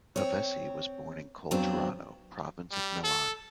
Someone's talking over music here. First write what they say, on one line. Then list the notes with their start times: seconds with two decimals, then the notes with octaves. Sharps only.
Pavesi was born in Colturano, province of Milan.
0.16 C4 C#5
1.51 F2 F#3 B3 C4 D4
2.72 G3
3.04 A4